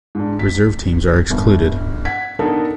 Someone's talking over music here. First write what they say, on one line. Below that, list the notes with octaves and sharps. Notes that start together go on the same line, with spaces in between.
Reserve teams are excluded.
G#2 D4
B6
G1
F#5 G#6 B6
B3 D4 D#4 A4 A#4